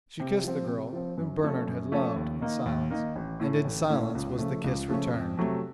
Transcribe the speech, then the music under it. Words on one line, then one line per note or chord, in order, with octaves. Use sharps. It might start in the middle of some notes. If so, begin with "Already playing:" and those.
She kissed the girl, whom Bernard had loved, in silence; and in silence was the kiss returned.
C3
F3 C4
C3
F3 C4
F#2
F3 A3 C#4 A4
F#2
F3 A3 C#4 A4
D#2
D#3 A#3 D#4
D#2
D#3 A#3 D#4
A1
A2 A3 C#4
A1
A2 A3 C#4
C#2
C#3 F3 A3 C#4
C#2
C#3 F3 A3 C#4
F2
C3 F#3 A3